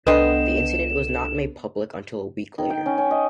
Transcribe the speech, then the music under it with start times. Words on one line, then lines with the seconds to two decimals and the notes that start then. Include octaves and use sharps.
The incident was not made public until a week later.
0.07 C2 B3 D4 A4 D#5 G5 C6 E7
2.58 D#3
2.70 G5
2.86 C#4
2.98 C#4
3.11 D#5